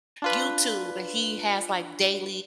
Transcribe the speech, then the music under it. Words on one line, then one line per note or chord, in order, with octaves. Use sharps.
YouTube and he has, like, m
D4 F4 B4